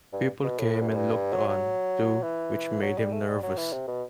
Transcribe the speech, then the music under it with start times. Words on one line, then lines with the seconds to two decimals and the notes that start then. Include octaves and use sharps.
People came and looked on, too, which made him nervous.
0.13 G2
0.44 B2
0.58 A2
0.73 A2
0.81 G2
0.88 F#2
0.96 G2
1.33 F#3
1.49 F#3
2.22 E3
2.82 F#3
2.98 G3
3.12 A3
3.27 G3
3.43 F#3
3.57 E3
3.73 C3
3.87 B2